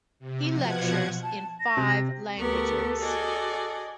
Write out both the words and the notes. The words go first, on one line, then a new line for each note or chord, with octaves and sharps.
He lectures in five languages.
C3
B2 F3 F#5 G#6
A5
A#6
C3
D2 B3 G4 A4 A#4 C#6
F#4 G#4 D5 D#5